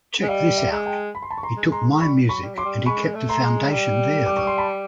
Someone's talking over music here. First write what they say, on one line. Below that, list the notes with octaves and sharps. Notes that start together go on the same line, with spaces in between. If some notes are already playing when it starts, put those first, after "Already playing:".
Check this out, he took my music and he kept the foundation there, though.
G#3
G3 D#5 F5
D5 E5
G#3
G5 A5
B5
C6
A5 B5
C#6
A#5 C6
G#3
A#5 C6
G3 B5 C#6
F#3
B5 C#6
G3
F#3 C6 D6
G3
G#3 B5 C#6
A3
A#5 C6
G#3
G3
D6
C#6
C6
A5 B5